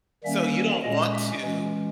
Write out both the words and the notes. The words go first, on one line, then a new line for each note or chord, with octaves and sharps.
so, you don't want to,
D#3 G3 A#3 C#4 E5
A#2 G#3 C#4 D#5
E5
E3 G#3 C#4